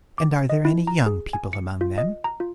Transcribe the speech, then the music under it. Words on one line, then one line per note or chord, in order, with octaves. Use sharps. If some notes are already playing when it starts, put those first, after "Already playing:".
"And are there any young people among them?"
D6
D#5
E4
A#5
G#4
G#5
C#7
F4
D#5
A#5
F4